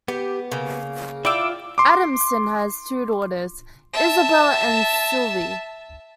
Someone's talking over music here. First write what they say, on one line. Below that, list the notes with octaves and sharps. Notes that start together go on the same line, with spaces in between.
Adamson has two daughters, Isabelle and Sylvie.
B3 G4
C#3 A#3
E4 F4 D5 G5 D6 E6
C6 D6
E5 A5